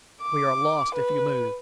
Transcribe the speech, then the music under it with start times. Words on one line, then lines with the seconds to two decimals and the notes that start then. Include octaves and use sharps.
We are lost if you move.
0.22 D6
0.95 B4